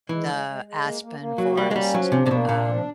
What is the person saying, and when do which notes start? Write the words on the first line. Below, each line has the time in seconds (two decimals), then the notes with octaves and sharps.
the aspen forest, um,
0.09 E3 G#3
0.28 G#3
0.47 G#3
0.65 G#3
0.83 A#3
1.02 A#3
1.20 A#3
1.38 F#3 F#4
1.57 G3 A#3
1.71 G#3
1.75 G3 C#4
1.94 F3 F#3
2.12 C3 D4
2.26 C3
2.30 B2 A#3
2.49 A#2 D4
2.68 F3